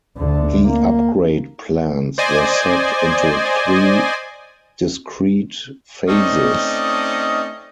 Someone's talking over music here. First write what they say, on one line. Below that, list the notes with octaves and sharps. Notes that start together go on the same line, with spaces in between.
The upgrade plans were set into three discrete phases.
D2 D3
A#3
C5 D5 D#5 G#5
A3 C4 C#4 D#4 D5 D#5